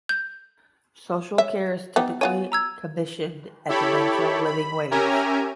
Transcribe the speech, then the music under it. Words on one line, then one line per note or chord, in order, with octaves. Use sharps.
Social care is typically commissioned at the National Living Wage.
G6
C#5 E5
B3 D#4 G4
B3 F4 C#5 G#5
A#5 E6 G#6
E4 G4 A4 C#5 B5
B5
C#4 G4 A#4 E5 G#5 A#5